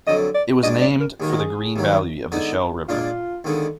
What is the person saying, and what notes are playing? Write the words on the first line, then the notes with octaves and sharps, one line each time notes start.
It was named for the green valley of the Shell River.
F2 D3 F#3 D#5
D5
B2 G#3 D4 D#5
D5
A#4
D#2 D#3 G#3 G#4
F#4
G#4
D#2 D#3 F#3
D3 G#3 B3 D#4
A#2 G#3 D4 F4
D#2 D3 G#3 B3